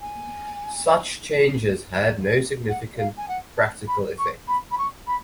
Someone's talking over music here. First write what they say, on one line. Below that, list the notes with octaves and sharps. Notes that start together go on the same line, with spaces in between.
Such changes had no significant practical effect.
G#5
F#5
F5
G#5
F#5
A5
B5
C#6
B5
B5
C#6
B5